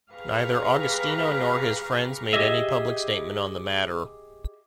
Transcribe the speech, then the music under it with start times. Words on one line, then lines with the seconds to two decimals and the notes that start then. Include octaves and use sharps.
Neither Agostino nor his friends made any public statement on the matter.
0.12 G4 G#4 B4 F5 A#5 C#6
2.33 G4 G#4 D#5 E5